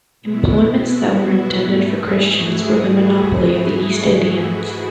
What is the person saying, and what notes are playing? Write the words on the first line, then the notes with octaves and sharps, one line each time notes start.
Employments that were intended for Christians, were the monopoly of the East Indians.
B2 G#3 B3 E4
F#4
E4
G#2 E3 A3 E4
G#4
F#4